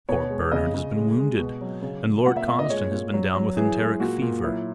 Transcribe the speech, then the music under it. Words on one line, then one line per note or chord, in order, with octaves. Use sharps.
"Poor Bernard has been wounded and Lord Conniston has been down with enteric fever."
B2 C#5
G#3
C#3 D#5
C#3
G#3
G#3
B2
F#3
C#3
C#3
A#2 F#5
E5
A#2 E5
D#5
G#3 C#5
A#2
F#3
F#3
E3 G#4
G#3
A#2 F#4
A#2
F#3 E4